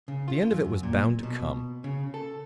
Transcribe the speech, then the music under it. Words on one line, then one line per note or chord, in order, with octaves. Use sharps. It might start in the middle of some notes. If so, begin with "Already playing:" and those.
The end of it was bound to come.
C#3
F4
F#2
A#2
B2
C#3
A4